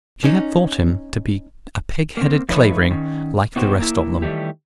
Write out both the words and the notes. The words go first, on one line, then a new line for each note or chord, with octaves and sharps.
She had thought him to be a pigheaded Clavering, like the rest of them.
C#4 D#4
A#3 C4
F3 A3 D#4 B4 C#5
D#3 C#4
B2 B3 D#4 F#4 G4 C5
A#3 E4
D#3 E3 G3 A3 G4